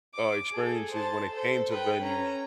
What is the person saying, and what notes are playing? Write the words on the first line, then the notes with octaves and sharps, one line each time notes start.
uh, experiences when it came to venues
D6
G#4 A4
C5 A5
A4 C5
B4 G5
C#4 A#5